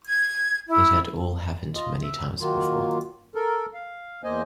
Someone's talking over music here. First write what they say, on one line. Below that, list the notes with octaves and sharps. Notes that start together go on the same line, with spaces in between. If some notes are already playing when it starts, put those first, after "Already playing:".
It had all happened many times before.
G#6
E4
F4 D#5
E5
D#3 F#3 A#3 F4
A4 A#4
F5
E2 A#3 C5 D#5 G#5